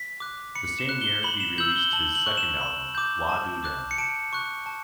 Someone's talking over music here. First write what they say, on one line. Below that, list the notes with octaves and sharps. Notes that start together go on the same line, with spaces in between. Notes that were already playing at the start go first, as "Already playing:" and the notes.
The same year he released his second album, "Wa Do Dem".
Already playing: B6
D6 F#6
B5 C#7
E7
F#6
G7
B5 F#7
E7
E6 G6 F#7
G7
A5 F#7
F#7
C#6 F#6
E7
B5
D6 G6
A5
D6 F#6
C#7
A5 D7
C#6 F#6
A5